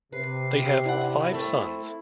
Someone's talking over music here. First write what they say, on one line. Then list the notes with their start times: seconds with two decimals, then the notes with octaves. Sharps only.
They have five sons.
0.12 C3 B4 C7
0.86 D4 E4 F#5
1.32 A3 C4 A4